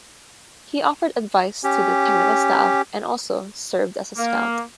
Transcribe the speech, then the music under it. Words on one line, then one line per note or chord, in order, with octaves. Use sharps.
He offered advice to the technical staff and also served as a scout.
C#4 G4
A#3